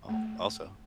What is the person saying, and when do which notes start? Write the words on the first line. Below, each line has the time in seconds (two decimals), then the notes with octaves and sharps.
Oh, also
0.09 A3